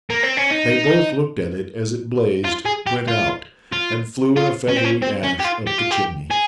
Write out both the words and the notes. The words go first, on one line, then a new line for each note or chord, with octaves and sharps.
They both looked at it as it blazed, went out, and flew in feathery ash up the chimney.
A#3
C4
C#4
D#4
F4
G#4
G4
F4
F4
F4
C#4
C4
C#4
C4
C#4
G4
F4
G4
F4
G4
G#4